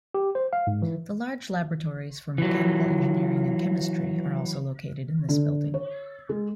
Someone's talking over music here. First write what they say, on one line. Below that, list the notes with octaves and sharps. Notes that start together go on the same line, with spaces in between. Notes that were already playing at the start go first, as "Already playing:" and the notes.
The large laboratories for Mechanical Engineering and Chemistry are also located in this building.
G4
C5
F5
G#2
E3
E3 F#3
D3
C#5
G#3